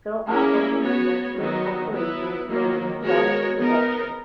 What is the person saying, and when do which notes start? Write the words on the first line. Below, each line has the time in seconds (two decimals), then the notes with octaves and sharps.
Phil-Agro Industrial Corporation is in starch production.
0.28 A#3 C#4 E4 G#4
0.83 B3 F#4 C#5
1.38 D#3 F#3 B3 D#4 F#4
1.92 F#3 B3 E4 B4
2.48 D#3 F#3 A#3
3.02 G#3 B3 F#4 A#4 C#5
3.57 B3 D#4 A#4